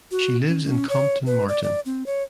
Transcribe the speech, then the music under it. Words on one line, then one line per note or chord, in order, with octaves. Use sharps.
She lives in Compton Martin.
F#4
C#4
C#4
C#5
B4
D5
D5
C4
C#5